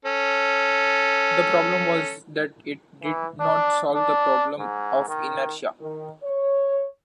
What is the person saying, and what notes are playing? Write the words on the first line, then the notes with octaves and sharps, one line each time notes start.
The problem was that it did not solve the problem of inertia.
C#4 A4
E3
D4
D4
G#2
D#3
D#3
C#5